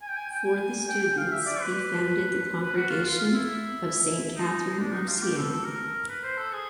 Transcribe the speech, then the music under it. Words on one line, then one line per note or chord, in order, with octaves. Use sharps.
For the students he founded the Congregation of Saint Catherine of Siena.
G#5
G5
G#5
G5
G#5
G5
G5
F5
E5
D5
B4
B4
F#4
F4
F4
F4
E4
D#4
D4
D#4
F4
G4
A4
A4
A#4
B4
C5
A4
G#4